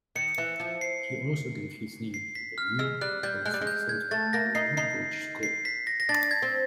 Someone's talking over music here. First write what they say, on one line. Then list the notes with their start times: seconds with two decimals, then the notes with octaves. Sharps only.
He also gave his name to the new "Belstead Centre" at Woodbridge School.
0.15 D#3 C#7
0.38 E3
0.60 F3
0.81 C7
2.14 C7
2.35 B6
2.58 F6
2.79 G#3 E6
3.01 G3 F#6
3.23 G3 G6
3.46 G#3 F#6
3.54 G3
3.61 G#3
3.67 G6
3.89 G#6
4.11 A3 A6
4.33 A#3 A#6
4.55 D#4 C7
4.77 D#4 C7
5.43 C7
5.65 B6
5.87 A#6
6.00 A#6
6.09 D4 A6
6.31 G#6
6.42 C4